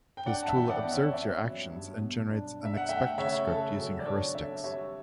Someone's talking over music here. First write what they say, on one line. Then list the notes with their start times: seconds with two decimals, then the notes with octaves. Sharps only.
This tool observes your actions and generates an expect script using heuristics.
0.17 G5
0.26 D4 D5 F#5
0.43 A5
0.48 E5 G5
0.56 E3
0.63 G5
0.69 D5 F#5
0.84 B3
0.91 C#5 E5
1.06 D5
1.14 C#4 C#5 E5
1.43 F#3
1.71 G2
2.01 B2
2.30 D4
2.60 D4
2.65 E5
2.77 F#5
2.89 A3 E5 G5
3.06 F#5
3.18 C#3 C#5 E5
3.46 C#3 A4
3.76 F#3
4.00 D5
4.06 D4 A4 C#5
4.34 D4 C#5 E5
4.63 G3 C#5 E5